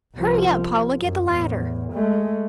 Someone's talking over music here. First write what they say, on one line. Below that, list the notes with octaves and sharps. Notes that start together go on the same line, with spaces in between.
Hurry up, Paula, get the ladder.
C2 F3
F#2
E2 A2
G#3 A3